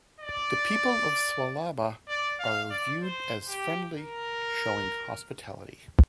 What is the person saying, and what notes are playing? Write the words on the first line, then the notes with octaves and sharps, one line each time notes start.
The people of Swalaba are viewed as friendly, showing hospitality.
D5
D5
F5
D5
C5
G4
A#4